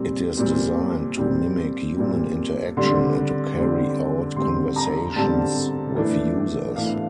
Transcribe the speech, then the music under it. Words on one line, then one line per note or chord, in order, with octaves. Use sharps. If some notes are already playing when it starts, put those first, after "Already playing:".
It is designed to mimic human interaction and to carry out conversations with users.
Already playing: A#2 G3 C4
A#2 G3 C4
A#2 G3 C4
A#2 G3 C4
D3 G3 C4 C6
D3 G3 C4
D3 G3 C4 C6
A#5
D3 G3 C4 A5
E3 A3 D4
E3 A3 D4 F5